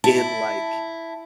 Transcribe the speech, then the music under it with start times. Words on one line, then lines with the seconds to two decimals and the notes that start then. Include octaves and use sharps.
in, like
0.04 E4 A5